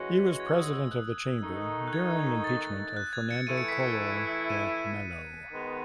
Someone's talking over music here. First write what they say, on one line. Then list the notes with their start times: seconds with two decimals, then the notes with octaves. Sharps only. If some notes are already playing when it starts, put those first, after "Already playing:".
He was president of the chamber during the impeachment of Fernando Collor de Mello.
Already playing: E3 G#3 C#4 F#4
0.40 G#6
0.49 E6
0.56 D#6
0.74 E6
0.91 F#6
1.42 D#3 A3 D#4
1.88 F#6
1.93 G#6
2.19 G#6
2.44 A6
2.97 F#6
3.13 G#6
3.31 C#7
3.47 E3 A3 E4 D#7
3.58 C#7
3.68 B6
3.80 C#7
4.50 D#7
5.53 D#3 G#3 B3